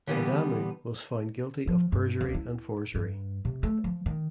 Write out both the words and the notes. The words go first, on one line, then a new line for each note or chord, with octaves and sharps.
Adamu was found guilty of perjury and forgery.
D3 E3 G3 A#3 B3
F3
G2
C#2
E4
G2
C3
A3
F3
D#3